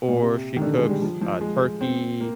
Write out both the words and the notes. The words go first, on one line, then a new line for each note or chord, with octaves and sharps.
or she cooks, uh, turkey,
A#2
C3
D#3
D3
G#3
G3
F3
F3
G#3
C4
A#3